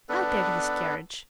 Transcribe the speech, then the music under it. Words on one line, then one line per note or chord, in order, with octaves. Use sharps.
I'll take this carriage.
B3 D4 A4 B4